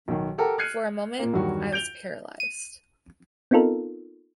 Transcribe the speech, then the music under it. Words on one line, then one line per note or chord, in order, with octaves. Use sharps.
For a moment I was paralysed.
B1 D#3
G4 A4 A#4 F#5
F6 F#6 G#6 C7 C#7 D#7
A#2 A#3
E2 G2 D#3 F#3 F#4
G6 D7 F7 G7
D#7
B3 C4 D#4 F4 A4 A#4